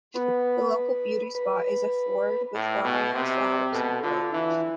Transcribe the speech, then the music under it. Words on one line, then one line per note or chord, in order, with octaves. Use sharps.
The local beauty spot is a ford with wild flowers and a wood.
B3 B4
B4
A2
B2
C3
B2 A4
D3 F4
E3 E4